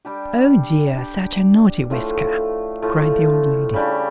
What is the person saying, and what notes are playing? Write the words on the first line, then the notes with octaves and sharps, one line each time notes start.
'Oh dear, such a naughty Whisker!' cried the old lady.
G3 D4 G4
G3 D4 G4
A2 F3 A3
A2 F3 A3
C#3 G3 D4